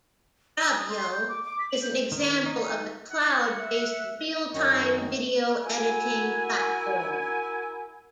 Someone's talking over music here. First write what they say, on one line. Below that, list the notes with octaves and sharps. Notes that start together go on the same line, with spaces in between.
Grabyo is an example of a cloud-based real-time video editing platform.
E6
D#6
C6
G6
D6
D6
B6
F#7
G6
D#3
D#4
F#5
E5
F#2 D#3 C#5 D#5
E4 F#4 A#4 G#5